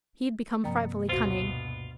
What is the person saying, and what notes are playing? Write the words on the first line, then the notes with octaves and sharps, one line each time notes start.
He had become frightfully cunning.
G2 C3 F3 A#3 G5 A#5
D2 B2 F4 F#4 C5